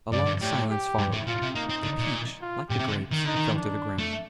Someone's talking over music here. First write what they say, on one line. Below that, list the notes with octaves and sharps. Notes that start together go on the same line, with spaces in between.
A long silence followed; the peach, like the grapes, fell to the ground.
G2 D5
G2
A2 G4
G4
G2
A2
A#2 F4
C3
A#3 D#4
C4
D3
A#2
F4
A#2 G4
C3
D3
D#3
D3 D#4
D#3
D4
A3